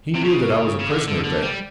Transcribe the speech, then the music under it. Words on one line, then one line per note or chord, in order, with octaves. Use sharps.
He knew that I was a prisoner there.
C3
C#3
C#3
D3
D3
D3
G3